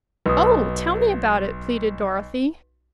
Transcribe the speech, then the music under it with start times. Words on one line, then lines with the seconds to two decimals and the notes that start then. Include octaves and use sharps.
"Oh, tell me about it!" pleaded Dorothy.
0.26 B1 B4 D#6